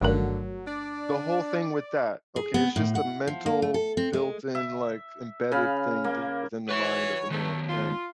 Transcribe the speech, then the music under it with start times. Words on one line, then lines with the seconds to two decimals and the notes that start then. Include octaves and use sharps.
the whole thing with that, okay, is just a mental built-in, like, embedded thing deep within the mind of a man and
0.01 G1 G2 D3 D#3 F#3 A3 A#4
0.67 D4 D5
2.36 G#4
2.54 B3
2.76 A2
2.95 F#5
3.27 F3
3.46 A#3
3.62 A3
3.74 A4
3.97 C4
4.13 G#3
4.55 E5
5.52 C#3 F5 B5
6.04 A#3
6.69 E3 F#4 B4 C#5 E5
7.31 D#3 A3 B3
7.68 F4